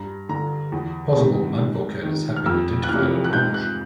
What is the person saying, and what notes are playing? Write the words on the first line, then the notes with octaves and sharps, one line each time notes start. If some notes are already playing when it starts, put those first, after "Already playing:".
Possible mud volcanoes have been identified on Mars.
Already playing: G2 A#5
D3 A#5
E2
C3 D#3
G#2
D#3
F6
F2 E6
F#6
C3 E3 F6
F#6
G#2 G6
F#6